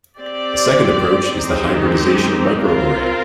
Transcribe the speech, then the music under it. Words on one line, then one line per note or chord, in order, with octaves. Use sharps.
A second approach is the hybridization microarray.
C4 G4 D5
D#3 G#3 C4 D#4 G4
C4 F4 A#4